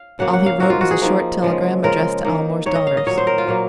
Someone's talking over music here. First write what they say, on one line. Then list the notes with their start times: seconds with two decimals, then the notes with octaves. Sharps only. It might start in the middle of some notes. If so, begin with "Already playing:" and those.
All he wrote was a short telegram addressed to Aylmore's daughters.
Already playing: F5
0.19 C#3 F#3 A#3 F#5
0.33 F#5
0.46 F5
0.60 F3 A#3 D#4 F#4
0.70 F4
0.81 F#4
0.91 G#4
1.01 F3 A#3 D#4
1.42 C#3 F3 G#3
1.84 C#3 F3 G#3 A#4
2.24 D#3 A#3 D#4
2.66 D#3 A#3 D#4 C#5
2.75 D#5
2.87 F5
2.97 D#5
3.06 A#2 F#3 A#3 C#5
3.18 C5
3.27 A#4
3.38 F4
3.47 A#2 F#3 A#3